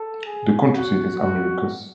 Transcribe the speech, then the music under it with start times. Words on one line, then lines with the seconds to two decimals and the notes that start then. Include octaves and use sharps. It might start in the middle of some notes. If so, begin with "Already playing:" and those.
The county seat is Americus.
Already playing: A4
0.26 G#4
0.74 F#4
1.21 F#4